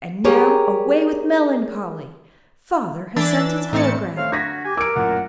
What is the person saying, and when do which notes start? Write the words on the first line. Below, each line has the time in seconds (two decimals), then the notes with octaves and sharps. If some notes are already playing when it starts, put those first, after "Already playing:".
'And now, away with melancholy! Father has sent a telegram.
0.24 G4 G#4 A#4 C#5
3.16 E3 D4 E6 A6
3.73 A2 E3 C4 A6 C#7
4.17 A3 C4 C#5 F5
4.32 D3 F#4 G#6 A#6 B6
4.64 G4 G#5
4.77 A#4 D6 E6 D7
4.95 A1 F#2 A#2 F#5